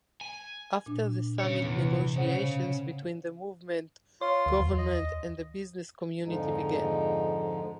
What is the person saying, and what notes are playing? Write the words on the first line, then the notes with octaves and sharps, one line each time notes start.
After the summit negotiations between the movement, government, and the business community began.
G#5
A#2 D4
C#3 C#5
E2 C3
C#3 C5 F#5
F4 C#5 C6
D2
E2
D#5
F2 G#2 D3 F3 G#3 D#4